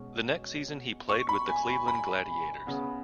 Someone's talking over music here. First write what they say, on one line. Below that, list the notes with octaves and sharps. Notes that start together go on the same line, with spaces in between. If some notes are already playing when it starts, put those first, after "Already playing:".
The next season he played with the Cleveland Gladiators.
Already playing: B2 G#3 C#4
C#6
B5
G#5
G#5
B5
C#3 B3